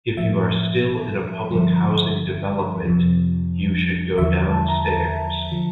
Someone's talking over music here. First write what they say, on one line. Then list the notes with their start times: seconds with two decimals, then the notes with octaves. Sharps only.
If you are still in a public housing development, you should go downstairs.
0.17 A2 F3 E5
1.51 G2 D3 F3
2.85 F2 C3 F3
4.18 E2 D3 F3 E5
4.51 A5
4.68 A#5
4.86 A5
5.51 D3 F3